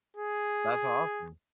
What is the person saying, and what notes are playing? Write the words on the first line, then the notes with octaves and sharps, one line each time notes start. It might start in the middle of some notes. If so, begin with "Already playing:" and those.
That's awesome.
G#4